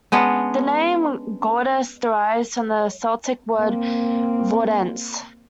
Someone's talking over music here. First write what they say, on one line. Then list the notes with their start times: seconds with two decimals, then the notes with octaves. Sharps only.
The name "Gordes" derives from the Celtic word "Vordense".
0.12 G#3 B3 C#4 D4
3.57 A#3 C4